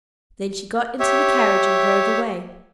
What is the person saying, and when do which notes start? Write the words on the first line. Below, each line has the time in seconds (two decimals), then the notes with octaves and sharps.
Then she got into the carriage and drove away.
1.00 G4 C#5 E5